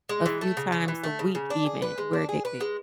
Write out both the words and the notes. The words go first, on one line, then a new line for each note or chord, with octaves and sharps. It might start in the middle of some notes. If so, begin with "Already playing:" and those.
a few times a week even, we're addicted
G#3
E3
A3
C#3
C#3
E3
A3
C#3
C#3
D4
G#4
B4
G#3
D4
G#4
B4
G#3